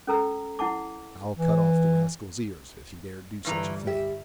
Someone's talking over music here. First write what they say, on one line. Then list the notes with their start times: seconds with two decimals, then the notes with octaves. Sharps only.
"I'll cut off the rascal's ears if he dare do such a thing."
0.07 C#4 A4 A#5 E6
0.59 E4 F#5 A5 D6
1.37 E3
3.45 G1 G2 E3 G3 A#5
3.87 G4 E5